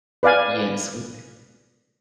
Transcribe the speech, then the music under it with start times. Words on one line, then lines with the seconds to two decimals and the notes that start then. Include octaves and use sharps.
Yes, wi t
0.23 B4 D5 F5 G#5